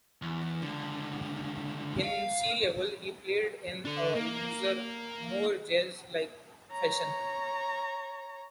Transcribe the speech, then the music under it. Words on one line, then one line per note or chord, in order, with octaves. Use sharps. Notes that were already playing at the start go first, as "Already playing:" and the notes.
In Sea Level he played in a looser, more jazz-like fashion.
E2
C#2 D3
F5
D3 D4
A#3
C#5 A#5